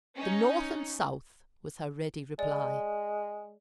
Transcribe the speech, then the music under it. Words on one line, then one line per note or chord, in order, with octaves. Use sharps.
"The North and South," was her ready reply.
C#4 D#4
G#3 D5